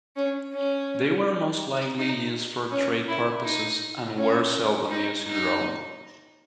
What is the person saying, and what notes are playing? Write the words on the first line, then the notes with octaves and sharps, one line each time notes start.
They were most likely used for trade purposes and were seldom used in Rome.
C#4
C#4
D#4
C#4
E4
D#4
C#4
D#4
D#4